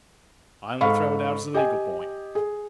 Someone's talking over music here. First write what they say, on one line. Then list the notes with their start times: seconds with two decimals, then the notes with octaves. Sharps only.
I only throw it out as a legal point.'
0.81 G#2 A4 F5 B5 C#6
1.54 G4 D#5 G5 G#5
2.35 G#4